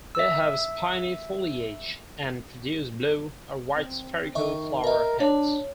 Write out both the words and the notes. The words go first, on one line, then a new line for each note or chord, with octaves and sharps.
They have spiny foliage and produce blue or white spherical flower heads.
E5 E6
C4
D#3 D#5 E5 C#6
A#4 D#5 E5
D4 C#5